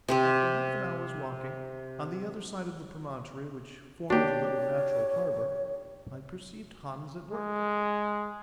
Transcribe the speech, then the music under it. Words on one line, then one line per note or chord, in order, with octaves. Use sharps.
After half an hour's walking, on the other side of the promontory which formed the little natural harbour, I perceived Hans at work.
C3 C4 G4
D#3 A#3 D4 F#4 G4 C#5
G#3